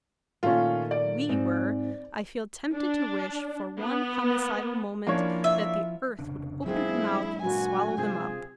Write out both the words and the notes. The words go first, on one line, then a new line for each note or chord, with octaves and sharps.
WE were!' I feel tempted to wish, for one homicidal moment, that the earth would open her mouth and swallow them up.
A#2 D#3 A3 C#4 F4
D5
G#2 C4 D#4
D4
B3
F3 A#3 C#4 D4 E4 C#5
E5
F1 C#3 D4
F#3 G#3 B3 C4 D4 E4 F4 G#4
A#2 F#4 B4 G#5
C3 C4 F4 G#4